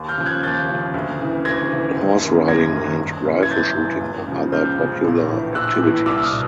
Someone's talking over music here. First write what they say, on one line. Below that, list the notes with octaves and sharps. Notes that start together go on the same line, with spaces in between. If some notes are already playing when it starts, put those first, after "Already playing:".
Horse riding and rifle shooting are other popular activities.
Already playing: D#2
F6 G6
C#3 F3
F#6 G#6
D#2 G6 A6
C#3 F3
D2
C#3 E3
D2 G#6 A#6
C#3 E3
F#1
F#2 D#3
F#1 G#6 A#6
F#2 D#3
G1
F#2 C#3 E3
G#6
G1 G6 A6
F#2 C#3 E3
C#2
C#3 F3
C#2 F6 G6
C#3 F3
A#1
A2 E3
A#1 E6 F#6
A2 E3
C2 D6 E6
D#6 F6
B2